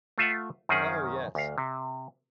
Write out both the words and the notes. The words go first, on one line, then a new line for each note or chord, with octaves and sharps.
Oh yes.
A3 F4 E5 F#5
F#2 D#3 C4 C#4 G#4
D2 F5
C3